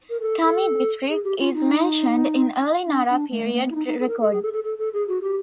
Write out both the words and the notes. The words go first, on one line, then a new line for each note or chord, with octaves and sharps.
Kami District is mentioned in early Nara period records.
A#4
A4
A4
G#4
G4
F4
D#4
D4
D4
A3
A3
A#3
B3
E4
D#4
D#4
A4
A#4
A4
G#4
A4
A4
A4
A4
G#4
F#4
G4